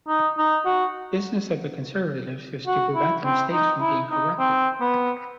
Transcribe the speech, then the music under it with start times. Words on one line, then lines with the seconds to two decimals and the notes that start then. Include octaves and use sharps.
The business of the Conservatives is to prevent the mistakes from being corrected.
0.08 D#4
0.38 D#4
0.66 F#4
2.67 F#4
2.95 E4
3.24 C4
3.52 D#4
3.81 E4
4.10 D#4
4.39 C4
4.81 B3